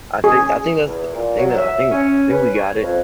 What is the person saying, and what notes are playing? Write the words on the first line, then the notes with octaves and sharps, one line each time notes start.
I think I think that's I think that I think think we got it.
G#4
E2
A#2
F#3
E5
C#4
B4
C#5
F2